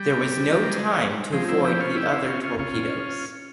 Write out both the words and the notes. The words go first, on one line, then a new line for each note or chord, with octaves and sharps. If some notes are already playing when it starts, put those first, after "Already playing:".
There was no time to avoid the other torpedoes.
Already playing: G3
A#3
G#3
F3 G#3 C4
C4 E4
E4 G4
E4
C#4 F4
E4 G4
C4 E4
C#4 F4
C#4 F4
C#3 C#4 F4
A#2